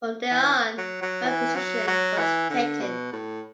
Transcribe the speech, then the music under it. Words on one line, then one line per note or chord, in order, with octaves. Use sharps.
From then on, my position was taken.
E3
F#3
F#3
E3
F#3
F#3
E3
D3
B2
A2